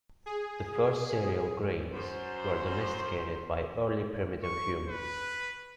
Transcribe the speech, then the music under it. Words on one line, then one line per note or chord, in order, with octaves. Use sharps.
The first cereal grains were domesticated by early primitive humans.
G#4
F#2 C5
C#6
B4